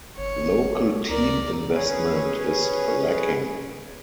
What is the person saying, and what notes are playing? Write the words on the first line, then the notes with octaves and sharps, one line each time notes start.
Local team investment is lacking.
G1 C#5
C#2 A#4 D5
C#4 G#4 B4 C#5